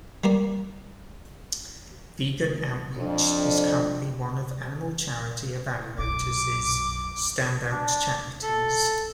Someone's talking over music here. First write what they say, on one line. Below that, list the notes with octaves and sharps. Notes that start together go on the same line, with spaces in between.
Vegan Outreach is currently one of Animal Charity Evaluators' Standout Charities.
G3 A#3 D5
F2 D4
B1 F#2 D6
D4
A4